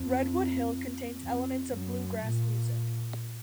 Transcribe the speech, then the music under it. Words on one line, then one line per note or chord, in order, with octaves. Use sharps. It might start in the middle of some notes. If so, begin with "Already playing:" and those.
"Redwood Hill" contains elements of bluegrass music.
Already playing: F2
F2
F#2
A#2